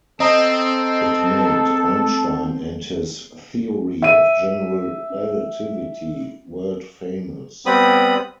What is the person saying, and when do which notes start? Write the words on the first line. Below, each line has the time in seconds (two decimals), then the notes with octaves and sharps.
It made Einstein and his theory of general relativity world-famous.
0.20 C4 A4 D#5 A#5 D#6
4.02 E5 D#7
7.66 G3 B3 C4 B5 D#6